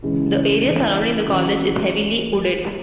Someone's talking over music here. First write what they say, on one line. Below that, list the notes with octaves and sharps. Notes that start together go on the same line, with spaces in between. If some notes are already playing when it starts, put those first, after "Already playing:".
The area surrounding the college is heavily wooded.
C#3 E3 G#3 C#4 E4
E3 C#4 E4
E3 C#4 F#4